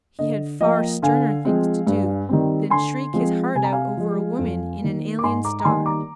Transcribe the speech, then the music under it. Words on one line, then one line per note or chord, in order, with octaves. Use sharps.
He had far sterner things to do than shriek his heart out over a woman in an alien star.
D3 D#5
F3 A#3 D#5 G5
D3 F5 G#5
F3 G#3 C4
G2
D#3 G3 C4
D3 G#5 C6
F3 G#3 C4
C3 G#5
A#5
F5 G#5
F3 G#3
F2
D#3 A#3
D6
G#2 G#5 C6
A#5 D6
A#5
D#3 G3 A#3 G#5 C6
A#5 D6